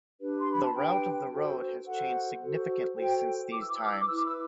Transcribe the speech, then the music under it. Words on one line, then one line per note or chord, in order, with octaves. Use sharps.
The route of the road has changed significantly since these times.
D4 G4 B4
C6
B5
A5
D4 G4 B4 G5
F#4 A4 C5
F#4 A4 C5 F#5
F#4 A4 C5
F#4 A4 C5 G5
E4 B4 D6
E6
D6
E6
D6
E6
D6
E4 B4 E6
D6
E6